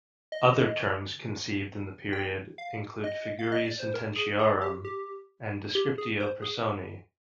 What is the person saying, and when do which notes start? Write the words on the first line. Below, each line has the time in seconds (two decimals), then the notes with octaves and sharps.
Other terms conceived in the period include "figurae sententiarum" and "descriptio personae".
0.32 D#5
2.13 G5
2.58 F5
3.04 D#5
3.39 F5
3.52 D#5
3.66 D5
3.79 C5
3.94 A#4
4.16 G#4
4.39 G#4
4.61 G4
4.85 G4
5.75 G4
5.98 G#4
6.20 C5
6.42 G#4